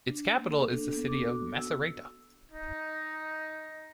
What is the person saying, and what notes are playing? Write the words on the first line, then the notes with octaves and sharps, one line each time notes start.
Its capital is the city of Macerata.
D4
A#3
A4
D4
B3
D6
F#4
E6
D#4